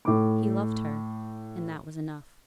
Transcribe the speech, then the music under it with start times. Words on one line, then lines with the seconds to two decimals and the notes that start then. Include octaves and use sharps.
He loved her, and that was enough.
0.05 A2 D6